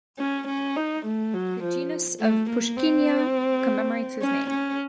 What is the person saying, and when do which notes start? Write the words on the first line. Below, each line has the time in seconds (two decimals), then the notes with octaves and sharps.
The genus of Puschkinia commemorates his name.
0.19 C#4
0.47 C#4
0.76 D#4
1.05 A3
1.34 F#3
1.63 F3
2.20 A3
2.49 A#3
2.77 C4
4.22 C#4
4.50 C#4